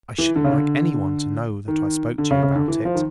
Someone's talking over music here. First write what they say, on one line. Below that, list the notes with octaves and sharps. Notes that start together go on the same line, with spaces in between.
I shouldn't like anyone to know that I spoke to you about it.
E3
D3
C#3
D3
D#3
D3
C#3
C#3
D3
E3
F3
D#3